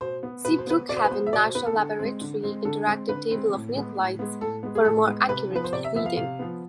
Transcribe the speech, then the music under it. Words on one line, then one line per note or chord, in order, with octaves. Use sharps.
See Brookhaven National Laboratory Interactive Table of Nuclides for a more accurate reading.
B2 C5
B3
B2 B4
C5
B3 B4
B2 D5
C5
B4
B3 C5
E5
B2 D5
C5
B3 B4
A4
D3
G#3 C4
D3
G#3 C4
D3 A4
G#3 C4
D3 B4
G#3 C4
A2
G#3 B3
A2
G#3 B3
A2 A4
G#3 B3
G#4
A2 A4
G#3 B3
C3 B4
F3 B3 B4
C5
C3 D5
E5
F3 B3 E5
F5
C3 F5
F3 B3